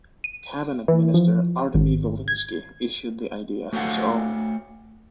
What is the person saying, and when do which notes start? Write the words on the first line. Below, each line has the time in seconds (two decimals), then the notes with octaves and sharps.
Cabinet Minister Artemy Volynsky issued the idea as his own.
0.24 D#7
0.88 E3
1.14 F3
1.74 G#1
2.28 G#6
3.73 A3 F#4 C5 C#5 F5 F#5